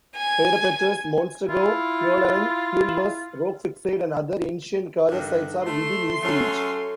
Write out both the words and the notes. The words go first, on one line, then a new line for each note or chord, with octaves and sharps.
Peyrepertuse, Montsegur, Puilauren, Queribus, Roquefixade and other ancient Cathar sites are within easy reach.
G#5
E4 F4
G2 D3 D#3
A3 C6
F#3 A3 C#4 A4